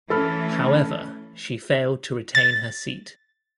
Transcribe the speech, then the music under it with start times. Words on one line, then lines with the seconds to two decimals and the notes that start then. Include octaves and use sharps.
However, she failed to retain her seat.
0.10 E3 A3 C#4 A4 B5 F6
2.35 A6